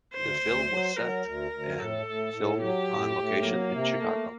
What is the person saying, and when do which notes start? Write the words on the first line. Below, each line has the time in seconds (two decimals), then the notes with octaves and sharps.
The film was set and filmed on location in Chicago.
0.14 D2 C5
0.41 D2
0.69 F#3
0.96 F#3 A#4
1.23 D2
1.51 D2
1.78 A2 A4
2.06 A2
2.34 A2
2.61 F#3 G4
2.89 A2
3.17 A2
3.43 F#3 A#3
3.71 C3
3.98 A3